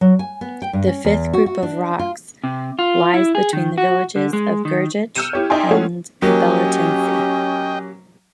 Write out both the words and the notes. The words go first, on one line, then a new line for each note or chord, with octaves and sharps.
The fifth group of rocks lies between the villages of Gyurgich and Belotintsi.
F#3
G#5
B3
G5
G2
C#4
E2
F#4
F#4
D4
F4
C3
F4
E4
G#4
D#3
F#4
D3
G#3
D#3
E6 F6 G6 C#7 D#7 E7
E4 G4 C#5
D#4 D5 E5 G5 G#5 C6
G#3 A3 C#4 E4 F#4 A4
F#3 A#3 C#4 G4 D#5 G5